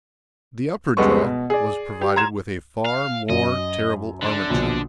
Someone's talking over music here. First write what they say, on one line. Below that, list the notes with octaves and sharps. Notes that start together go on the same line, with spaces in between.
The upper jaw was provided with a far more terrible armature.
C#2 G3 G#3 B3 A4 C#6
B2
G#4 D5
G4
A#5 C6 G#6 E7
F5
F#2 D#5
D3 D4
A#1 B2